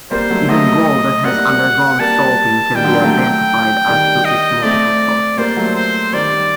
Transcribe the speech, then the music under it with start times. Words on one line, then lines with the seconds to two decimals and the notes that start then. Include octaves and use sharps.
Even gold that has undergone salting can be identified as to its multiple sources.
0.11 G3 A#3 C5
0.30 F#3 A3
0.49 F#3 A3 D#5
1.24 G3 A#3 F#5
2.00 G3 A#3 A5
2.75 D#3 G3 G5
2.84 D3 F#3
2.93 G3 A#3
3.03 F#3 A3
3.12 G5
3.88 D#3 G3
4.25 D#5
4.62 A3 C4 D5
5.38 G3 A#3 C5
5.56 F#3 A3
5.76 C5
6.13 D#3 G3 D5